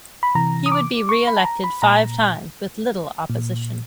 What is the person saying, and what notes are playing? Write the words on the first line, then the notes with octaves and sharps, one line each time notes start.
He would be re-elected five times with little opposition.
B5
C3 E3 A#5
D#6
D6
C#6
B5
A5
A#5
B5
A#2 A#5
A#2